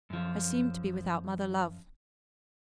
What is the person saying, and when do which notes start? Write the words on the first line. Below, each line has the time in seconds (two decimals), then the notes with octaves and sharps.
I seemed to be without mother-love.
0.10 F#2 F3